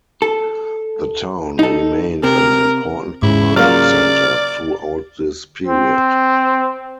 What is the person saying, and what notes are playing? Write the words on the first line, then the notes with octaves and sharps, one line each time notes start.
The town remained an important commercial centre throughout this period.
A4
D#4 A4
C3 A#4
G#2 C#3 E4
F#3 A#3 F4 D5 F6
C4